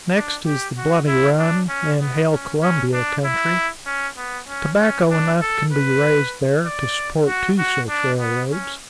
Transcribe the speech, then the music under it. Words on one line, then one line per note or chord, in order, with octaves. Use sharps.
Next is the Bloody Run and Hail Columbia country--tobacco enough can be raised there to support two such railroads.
D4
G4
F#4
E4
D4
C#4
B3
C#4
C#4
D4
E4
C#4
B3
C#4
C#4
D4
A4
B4
D5
F#4
F#4
D4
B3
C#4